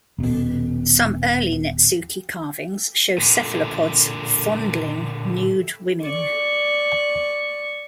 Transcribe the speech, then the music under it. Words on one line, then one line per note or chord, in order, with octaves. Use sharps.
Some early netsuke carvings show cephalopods fondling nude women.
D#1 B2
A#2 D3
D5 C#6